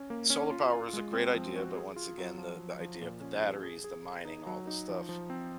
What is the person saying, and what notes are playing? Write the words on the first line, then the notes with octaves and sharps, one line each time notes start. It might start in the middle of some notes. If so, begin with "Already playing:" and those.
solar power is a great idea, but, once again, the the idea of the batteries, the mining, all the stuff,
Already playing: C#4
A#3
C#4
F4
F4
G#3
C4
F3
F#4
G#4
F4
F#3
F3
F3
F3
A#2
C#4
G#4
G#4
G#4
G#4
D#4
F#3
D#4
F3
F3
C4